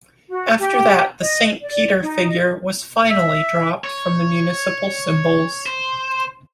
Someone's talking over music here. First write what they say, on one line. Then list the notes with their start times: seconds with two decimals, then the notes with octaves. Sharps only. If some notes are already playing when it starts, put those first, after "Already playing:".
After that the Saint Peter figure was finally dropped from the municipal symbols.
0.29 F#4
0.59 G4
1.21 D#5
1.61 D5
2.01 D#4
2.29 D#5
3.10 E5
3.84 C#5
5.66 C5